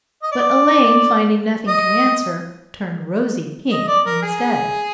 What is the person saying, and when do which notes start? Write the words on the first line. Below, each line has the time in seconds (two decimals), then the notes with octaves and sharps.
But Elaine, finding nothing to answer, turned rosy pink instead.
0.23 D#5
0.32 D5
1.68 D#5
3.72 D#5
3.88 D5
4.05 A#4
4.22 G#4